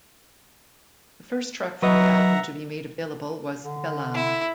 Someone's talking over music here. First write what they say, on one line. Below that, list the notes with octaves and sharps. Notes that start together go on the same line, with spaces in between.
The first track from the album to be made available was "Galang".
F#3 B4 D#5 E5 F#5 A#5
D3
E4